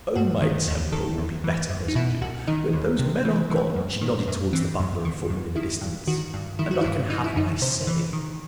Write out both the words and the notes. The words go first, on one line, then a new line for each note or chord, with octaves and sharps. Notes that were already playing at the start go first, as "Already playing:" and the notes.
"Oh, my temper will be better presently, when those men are gone"--she nodded towards the butler and footman in the distance--"and I can have my say."
G2 F#4
D#3
D#2
D#3 A4
E2
E3
F#2
D#4
B2 E4
C2 F#4
D#3 D#4
D#2
C3
E3
E3
F#2
D#3
F#2
E3 C4
F#2
D#3
F#2
D#3 E4
G2
D#3 F#4
G2
D#3 E4
F#4
E4
G2
E3 D#4
E4
F#2 D#4
C3 C5
E3
D#3